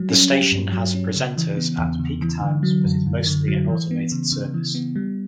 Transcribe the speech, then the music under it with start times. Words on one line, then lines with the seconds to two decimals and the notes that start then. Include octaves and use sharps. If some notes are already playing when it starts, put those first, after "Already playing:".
The station has presenters at peak times but is mostly an automated service.
Already playing: F#3 G3
0.10 C#4
0.31 G4
0.52 G2
0.72 F#3
0.94 C#4
1.16 C#3
1.37 E3
1.57 B3
1.78 E2
1.99 C#3
2.22 E3
2.42 D3
2.63 F#3
2.85 F#2
3.06 F#2
3.27 D3
3.48 F#3
3.69 E3
3.91 B3
4.12 C#3
4.32 C#3
4.54 E3
4.75 B3
4.96 G3